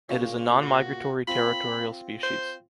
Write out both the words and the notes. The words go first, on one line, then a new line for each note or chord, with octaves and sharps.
It is a non-migratory territorial species.
A#2 C#3
F#4
C4 F4 B5
C5